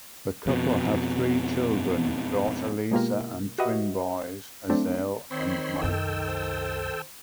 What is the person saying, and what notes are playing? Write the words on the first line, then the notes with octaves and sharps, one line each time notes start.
The couple have three children, daughter Lisa and twin boys, Azelle and Mike.
F2 B2
B2 G#3 A#3 F4 G4 A#4
F#4 G4 B4 D#5 E5 F#5
F#3 A3 C4 D4
D#3 C4 C#5 B5 C6
C2 F#2 A4 G5 E6
C5